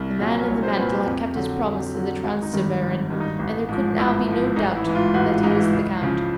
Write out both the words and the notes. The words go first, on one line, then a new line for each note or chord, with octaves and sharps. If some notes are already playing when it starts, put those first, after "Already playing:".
The man in the mantle had kept his promise to the Transteverin, and there could now be no doubt that he was the count.
Already playing: C2
A#2 F#3
C2 C#5
C5
A#2 F#3 B4
G4
F2
D3 F#3
F2
D3 F#3
G#1 F#4
D#4
G2 D#3 G3
G#1
G2 D#3 G3
D#4
A1
G#2 F3
A1 E4
G#2 F3
A1 D#4
E4
G#2 E3
F4
A1 F#4
F4
G#2 E3 D#4
E4
C#2
C#3 F3